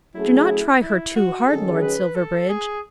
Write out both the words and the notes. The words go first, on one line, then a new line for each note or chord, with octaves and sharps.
Do not try her too hard, Lord Silverbridge.
F#3 A3 C#4 E4 G#4
E4
F#4
D#3 F#3 C#4 G#4 A4
B4
A4
G#4